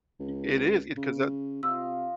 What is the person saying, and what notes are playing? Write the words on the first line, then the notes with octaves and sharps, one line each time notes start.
It is it 'cause the
C#2
C#3
C3 F4 D#5 F5 E6